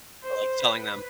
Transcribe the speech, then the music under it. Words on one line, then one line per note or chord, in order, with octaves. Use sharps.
or, like, selling them?
C5
B4